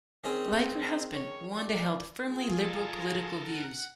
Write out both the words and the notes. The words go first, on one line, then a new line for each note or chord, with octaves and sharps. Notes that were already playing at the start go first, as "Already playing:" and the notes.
Like her husband, Wanda held firmly liberal political views.
D#3 C4 C#4 G#4
C#5
D5
F4 G#4
A4 A#4
F#5